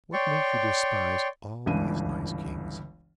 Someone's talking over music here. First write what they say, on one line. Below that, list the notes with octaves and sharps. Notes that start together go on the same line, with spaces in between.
What makes you despise all these nice kings?
C#5 D5 G5 C6 C#6
G1 C#2 E3 D4 D#7